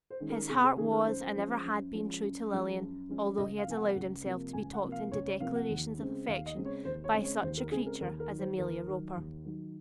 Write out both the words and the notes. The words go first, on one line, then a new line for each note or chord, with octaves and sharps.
His heart was and ever had been true to Lilian, although he had allowed himself to be talked into declarations of affection by such a creature as Amelia Roper.
C5
D#3 G#3 C#4
A#4
C3 G#4
G#4
D#3 G#3 C#4 G#4
A#4
F#2 C5
F3 G#3 C#4
F#2
F3 G#3 C#4
F#2
F3 G#3 C#4
F#2
F3 G#3 C#4
C#2 D#5
F5
C3 F3 A#3 G#5
F#5
C#2
C3 F3 A#3
C#2 G#5
F#5
C3 F3 A#3
F5
C#2 C#5
C#5
C3 F3 A#3 F5
F#5
D#2
C#3 G#3 C4
D#2 F5
D#5
C#3 G#3 C4
C#5
D#2 C5
C#5
C#3 G#3 C4
C#5
D#2 C5
A#4
C#3 G#3 C4 G#4
A#4
D#2 A#4
A#4
D#3 F#3
C5
D#2 A#4
D#3 F#3
D#2
D#3 F#3